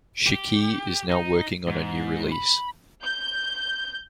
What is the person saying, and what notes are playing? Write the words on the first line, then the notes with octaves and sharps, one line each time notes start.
Shikhee is now working on a new release.
G4
D#4
G#2
B5
G6